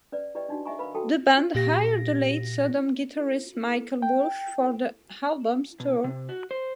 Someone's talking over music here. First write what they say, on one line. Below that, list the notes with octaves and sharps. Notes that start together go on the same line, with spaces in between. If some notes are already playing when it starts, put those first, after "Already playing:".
The band hired the late Sodom guitarist Michael Wulf for the album's tour.
C#4 B4 D5
E4 G4 B4 D5 D#5 G5
D4 D#4 F#4
D#5 E5 F#5 G#5 A#5 C#6
A#4 B4 F5 B5
F#4 A4 F#5 G5 A5
A#2 G4 A#6
G5
B2
C3
F#4
C5